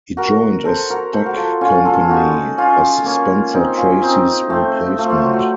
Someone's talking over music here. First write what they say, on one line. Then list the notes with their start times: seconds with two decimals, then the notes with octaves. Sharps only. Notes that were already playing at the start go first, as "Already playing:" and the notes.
He joined a stock company as Spencer Tracy's replacement.
0.17 F#4 A#4
0.65 A4 C5
0.90 F#4 A#4
1.13 A4 C5
1.26 F#4 A#4
1.37 F4 A4
1.61 C#4 F4
1.85 F4 A4
2.09 D#4 F#4
2.58 C#4 F4
3.06 A#3 C#4
3.54 C4 D#4
3.77 C#4 F4
4.02 C4 D#4
4.49 A3 C4
4.98 F3 A3
5.09 F3 A3
5.22 F#3
5.33 F#3